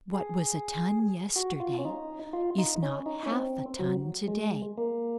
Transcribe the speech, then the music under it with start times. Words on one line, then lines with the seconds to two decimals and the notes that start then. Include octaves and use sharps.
What was a ton yesterday is not half a ton today.
0.14 G#4
1.36 F#4
1.60 F4
1.78 C#4
1.85 D#4
2.33 F4
2.58 D#4
2.83 C#4
3.06 D#4
3.26 C#4
3.31 C4
3.79 F#3
4.28 G#3
4.78 A#3